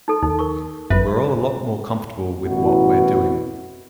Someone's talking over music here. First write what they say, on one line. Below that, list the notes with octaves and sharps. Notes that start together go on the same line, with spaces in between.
We're all a lot more comfortable with what we're doing.
D#4 A4
D#2 D#4
A#4 C#6
G1 F#2 B4 E5
A1 B2 E4 F#4